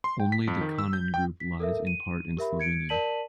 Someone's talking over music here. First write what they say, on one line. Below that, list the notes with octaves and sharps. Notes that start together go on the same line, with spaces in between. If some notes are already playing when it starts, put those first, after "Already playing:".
Only the Kanin group lies in part in Slovenia.
C6
G5
B6
F2
D#3
E6
G6
G5
B6
A4 A#4 E5
D#7
G4 A#4 E5 B5
G#6 C#7 D7
A#4 D5 A5 B6 D#7 F#7